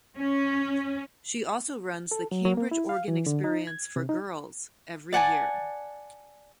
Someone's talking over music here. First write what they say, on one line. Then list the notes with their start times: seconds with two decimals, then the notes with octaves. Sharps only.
She also runs the Cambridge Organ Experience for Girls every year.
0.16 C#4
2.11 A4
2.32 F#3
2.45 F#3
2.57 A#3
2.71 E4
2.89 F5
3.08 E3
3.26 D3
3.44 D#4
3.67 G#6
3.96 C3
4.09 D#4
5.13 D5 F#5 G#5 A5